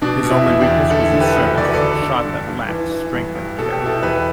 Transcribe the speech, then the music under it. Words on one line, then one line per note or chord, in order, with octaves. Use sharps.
His only weakness was his service, a shot that lacked strength and character.
B2 D4
B2
E4
E2
D4 G4
E2
D3 E4 A4
D3 A4
G4 B4
D2
D2 D5
B4
A4 D5
D3
D3
G2
G2
E3
E3
G2
G2
B2 A4
G4
B2 E4 A4
E2 G4 B4